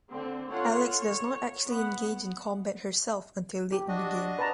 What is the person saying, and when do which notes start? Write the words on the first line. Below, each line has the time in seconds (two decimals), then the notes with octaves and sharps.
Alex does not actually engage in combat herself until late in the game.
0.10 D3 C4
0.51 F4 A4 C#5 F#5
0.96 C#5
1.69 B3 F#5
3.72 G4
3.88 D4 F#4 D#5
4.39 B4 A5 A#5